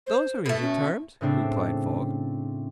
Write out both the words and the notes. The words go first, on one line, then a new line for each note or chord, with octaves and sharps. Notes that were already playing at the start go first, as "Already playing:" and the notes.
"Those are easy terms," replied Falk.
C5
B2 A3 A4
C#4
A2 C#3 A3 C4 D4